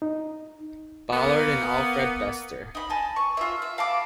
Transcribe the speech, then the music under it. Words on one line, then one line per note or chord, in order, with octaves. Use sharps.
Ballard and Alfred Bester.
D#4
A#3 B3
D#4 B5
D#5 G#5 A5
C#6
F4 E5
E5
F5 A5 B5 D6